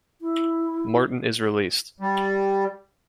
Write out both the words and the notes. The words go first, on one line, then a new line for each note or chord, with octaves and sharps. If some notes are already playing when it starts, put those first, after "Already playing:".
Martin is released.
E4
G3